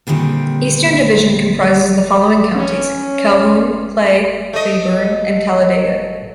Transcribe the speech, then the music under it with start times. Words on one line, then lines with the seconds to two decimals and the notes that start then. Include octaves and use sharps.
Eastern Division comprises the following counties: Calhoun, Clay, Cleburne, and Talladega.
0.07 A#2 D3 D#3 G3 C4
2.55 C#4
4.53 A3 D#5